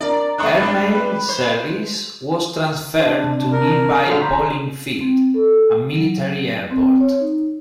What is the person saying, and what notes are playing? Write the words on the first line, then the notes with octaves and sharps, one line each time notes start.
Airmail service was transferred to nearby Bolling Field, a military airport.
D4 A#4 D5 A#5
G#3 B3 D4 C#6 D#6 F#6
G2 C4 D4 B5
B4
C5
D4 C5
C3
A#4
D3 F3 F#3 F#5 C6 F6
C5 A#5 B5
C4
A4
F#3
C4
C#5
D#4